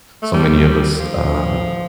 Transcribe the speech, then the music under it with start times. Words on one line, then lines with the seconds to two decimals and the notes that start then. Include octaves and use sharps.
so many of us uh,
0.22 A3
0.33 G3
1.00 F3